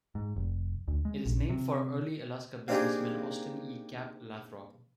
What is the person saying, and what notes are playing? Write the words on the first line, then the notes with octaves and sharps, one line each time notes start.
It is named for early Alaska businessman Austin E. "Cap" Lathrop.
G#2
F1
D2
G#3
A#1
C3
A#3 C4 D4 D#4 G4 G#4